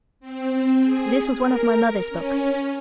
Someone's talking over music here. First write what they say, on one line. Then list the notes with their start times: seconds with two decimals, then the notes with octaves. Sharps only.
This was one of my mother's books.
0.20 C4
0.79 G#4
1.37 A#4
2.09 C#4